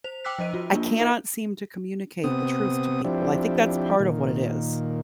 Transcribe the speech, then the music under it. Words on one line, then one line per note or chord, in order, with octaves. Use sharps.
I cannot seem to communicate the truth to people. I think that's part of what it is.
C5 F7
G5 D6 E6 F#6 B6
F3 C5 D#5 D#7
F3 F4 F#4
A#3 D4 F4
D#4 A#4 E5 C#7
C3 B3 C4 D#6
F3 C4 D4 E4 G4
A#2 D#3